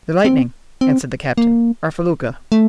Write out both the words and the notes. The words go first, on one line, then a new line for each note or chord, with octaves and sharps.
"The Lightning," answered the captain, "our felucca."
C4
C4
A#3
A3